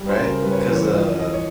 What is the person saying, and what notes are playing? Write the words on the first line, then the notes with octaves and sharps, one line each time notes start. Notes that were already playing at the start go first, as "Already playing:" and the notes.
Right? 'Cause, uh,
Already playing: G3
C5
C#3
A#4
G3 B4
C#5
C5
E3
C#5
F3 D#5
F3 D#5
C#5